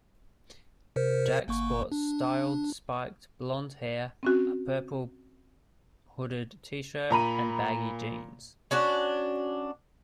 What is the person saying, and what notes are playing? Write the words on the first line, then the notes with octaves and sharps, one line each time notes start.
Jak sports styled spiked blonde hair, a purple hooded T-shirt and baggy jeans.
C3 A#4 C5
G1 A#3 C#6
D4
C4 C#4 F#4
A#2 A#5 B5 D#7
C#4 D4 F#4 D5